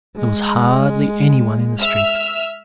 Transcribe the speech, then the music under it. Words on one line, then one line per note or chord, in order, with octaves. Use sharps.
There was hardly anyone in the streets.
G#3
E5 E6 F6